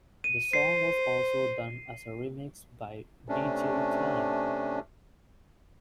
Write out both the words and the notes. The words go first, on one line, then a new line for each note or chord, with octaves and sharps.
The song was also done as a remix by DeeJay Time.
D#7
C5 C7
C3 A3 C#4 D4